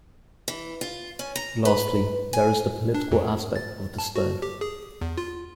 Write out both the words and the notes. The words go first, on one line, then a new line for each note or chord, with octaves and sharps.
Lastly, there is the political aspect of the stone.
E3
F4
C#4
A#5
B4
G#5
D4
F2
A6
A5
F#4
G4
G#4
E2
F4